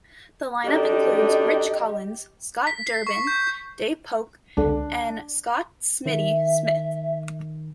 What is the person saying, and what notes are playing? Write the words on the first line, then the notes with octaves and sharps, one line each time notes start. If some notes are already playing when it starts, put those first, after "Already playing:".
The line-up includes Rich Collins, Scott Durbin, Dave Poche, and Scott "Smitty" Smith.
F#2 D4 D#4 G4 A4 D#5
B6
C7
C#6
G6
C#2 D3 D4
D#3 E5